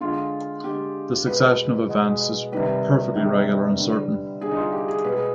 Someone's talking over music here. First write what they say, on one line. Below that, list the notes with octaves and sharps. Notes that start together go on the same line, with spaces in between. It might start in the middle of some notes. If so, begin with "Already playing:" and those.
The succession of events is perfectly regular and certain.
D3 G#3 F4
D3 G#3 G4
B2 G#3 B4
B2 G#3
C3 D#3 G3 B4
C3 D#3 G3
D3 G3
D3 G3 G#4
D#4
F4
G4
G#4
B2 G#3 B4
G#4